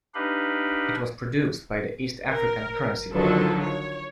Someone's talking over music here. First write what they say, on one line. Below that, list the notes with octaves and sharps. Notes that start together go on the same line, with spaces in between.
It was produced by the East African Currency Board.
D4 D#4 G4 B4 F5 B5
A#4
D3 D#3 F3 F#3 A4
C#5